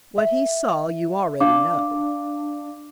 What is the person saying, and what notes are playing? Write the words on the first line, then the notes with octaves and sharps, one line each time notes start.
What he saw you already know.
E5
D4 F5 D6